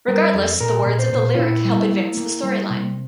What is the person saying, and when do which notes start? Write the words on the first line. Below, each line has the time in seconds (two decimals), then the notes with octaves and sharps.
Regardless, the words of the lyric help advance the storyline.
0.08 G3 A#4
0.33 F2 A4
0.60 A#2 A#4
0.86 A#2
0.99 C5
1.13 A#2
1.35 F4
1.39 A#2 E4
1.65 G3
1.92 A#3
2.17 A#3
2.43 G3
2.70 C3